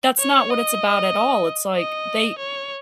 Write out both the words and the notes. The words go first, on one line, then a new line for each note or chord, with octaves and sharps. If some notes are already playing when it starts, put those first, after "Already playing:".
that's not what it's about at all, it's, like, they
C#5
D#5
D#5
C#5